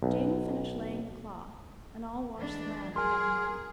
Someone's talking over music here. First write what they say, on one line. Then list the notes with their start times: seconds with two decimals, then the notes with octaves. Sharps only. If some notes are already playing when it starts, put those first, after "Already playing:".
Jane'll finish laying the cloth, and I'll wash the Lamb and get him ready.'
0.03 B1
2.37 E3 G#3 D4
2.96 G#4 A#4 G#5 C6